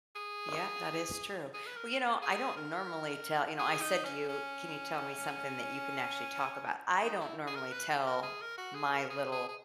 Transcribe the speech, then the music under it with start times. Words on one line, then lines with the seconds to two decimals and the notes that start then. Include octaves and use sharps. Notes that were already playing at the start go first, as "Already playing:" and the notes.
Yep, that is true. Well, you know, I don't normally tell you know, I said to you, "Can you tell me something that you can actually talk about?" I don't normally tell my little
0.16 G#4
1.54 G#4
1.66 B4
1.77 A#4
2.22 G#4
2.57 A#4
3.59 G#4
3.82 D#4
4.05 C#4
4.29 C#4
7.03 D#4
7.21 E4
7.47 G#4
7.55 A#4
7.72 B4
8.07 A#4
8.23 G#4
8.41 A#4
8.58 F#4
8.75 G#4
8.92 A#4
9.10 G#4
9.32 G#4
9.49 G#4